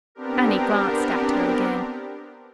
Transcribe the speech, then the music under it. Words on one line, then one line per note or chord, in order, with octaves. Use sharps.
Annie glanced at her again.
B3 C4 D4 G4 A#4